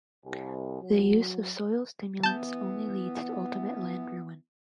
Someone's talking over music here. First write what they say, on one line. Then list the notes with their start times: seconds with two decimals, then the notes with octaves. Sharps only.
The use of soil stimulants only leads to ultimate land ruin.
0.25 C2
0.81 F#3
2.23 E3 B3 A5 G6